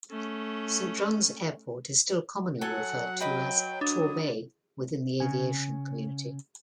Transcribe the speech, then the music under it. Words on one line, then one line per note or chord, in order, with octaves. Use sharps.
Saint John's Airport is still commonly referred to as "Torbay" within the aviation community.
A3 C#4
F#3 A4 F#5 G#5
B4 D#5 G5 B5
D4 D#6
C#3 C#4 G#5